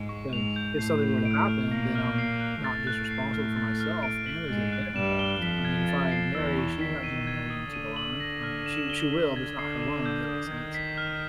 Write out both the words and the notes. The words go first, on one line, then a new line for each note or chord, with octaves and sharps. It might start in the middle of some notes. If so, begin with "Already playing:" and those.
'Cause if something were to happen, then I'm not just responsible for myself and there's a debt involved. I mean, if I marry, she's not gonna marry into the loan, I mean, she she will, but it's not her loan, if that makes sense.
Already playing: G#2 G#3
C#6
G#2 G#3 F7
G6
A2 A3 C7
G6
D7
F6
A#2 A#3 A#6
F6
C7
F#6
A2 A3 A6
F#6
C7
F6
A6
F6
D7
F#7
G#2 G#3 A6
F#6
G2 G3 E7
G7
F2 F3 B6
G#6
A6
C7
E2 E3 E6
C#6
D#3 B6
D#7
G#6
D#6
D3 D#7
F#7
A#6
F6
E7
G7
B6
G#6
D3 C7
E7
G6
D#6
D#3 G#6
B6
F6